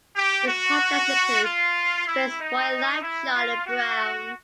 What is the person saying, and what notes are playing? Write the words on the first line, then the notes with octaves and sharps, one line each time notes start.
His projects include "Race for your life, Charlie Brown".
G4
F#4
F4
E4
D#4
E4
F4
F#4